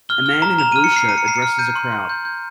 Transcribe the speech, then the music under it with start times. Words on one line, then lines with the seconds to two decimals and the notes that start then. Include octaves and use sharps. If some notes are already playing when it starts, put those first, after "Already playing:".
A man in a blue shirt addresses a crowd.
0.09 F6 G7
0.26 F6
0.42 A#5
0.59 A#5 F7
0.72 F6 D#7
0.84 C#7
0.92 F6 C7
1.09 A#5 D#7
1.18 C#7
1.26 A#5 C7
1.36 C#7
1.42 F6
1.59 G6 D#7
1.75 C6
1.92 C6
2.09 G6
2.25 G6